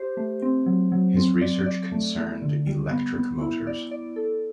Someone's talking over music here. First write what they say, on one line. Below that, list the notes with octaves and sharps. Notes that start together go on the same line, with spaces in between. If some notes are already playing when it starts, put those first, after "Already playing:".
His research concerned electric motors.
Already playing: G4 C5
A3
C4
F#3
F#3
C4
D5
D5
A3
A3
D3
G3
B3
B3
E4
D5
D5
A4